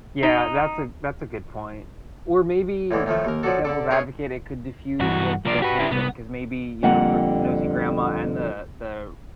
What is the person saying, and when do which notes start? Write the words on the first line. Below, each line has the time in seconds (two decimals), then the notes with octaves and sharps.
Yeah, that's a that's a good point, or maybe, er, devil's advocate, it could diffuse the the tension 'cause maybe, you know, gr nosy grandma and the the
0.23 D#4
2.91 A2 D3 E3 G#3
3.06 A2 D#3 F3 A3
3.25 D#2 A#4
3.43 F3 F#3 D4 F#4 A4
3.65 D3 D4 A4
3.90 G#4 A#4 B4 C#5 F5 A#5
5.01 B1 G2 E3 F#4
5.46 C2 F3 A#3 D5
5.62 F#4 G4 B4
5.80 C4 E4
5.92 C2 B3
6.83 F2 D3 G3 A#3 F#5